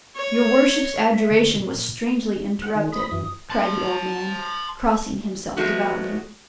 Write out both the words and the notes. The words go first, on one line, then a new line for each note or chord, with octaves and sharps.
"Your worship's adjuration was strangely interrupted," cried the old man, crossing himself devoutly.
C#5
E5
D3
A#2
G#3 F#5
D#3
B5 D#6
F#2 E3
A5 C6
F3 F#3 G#3 A3 B3 F#4